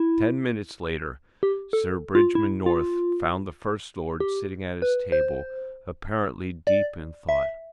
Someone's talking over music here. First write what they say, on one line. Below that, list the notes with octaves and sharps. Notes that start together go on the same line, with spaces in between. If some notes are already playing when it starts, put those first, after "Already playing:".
Ten minutes later Sir Bridgman North found the First Lord sitting at his table, apparently deep in thought.
Already playing: E4
G4
A4
F4
E4
F4
G4
B4
C5
D5
E5